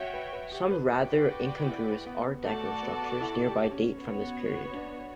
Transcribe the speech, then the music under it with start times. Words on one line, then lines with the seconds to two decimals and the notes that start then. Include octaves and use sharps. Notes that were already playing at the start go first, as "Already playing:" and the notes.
Some rather incongruous Art Deco structures nearby date from this period.
Already playing: F#4 C#5 E5 G5
0.13 B4
0.33 B4
0.52 G4
0.71 B4
0.91 F#4 B4 D5 G5
1.66 E4
2.06 B3
2.44 A3 F#4 A4 D5 A5
2.82 B3
3.21 E4
3.46 G4
3.71 C#4
3.97 B3 F#4 C#5
4.75 D4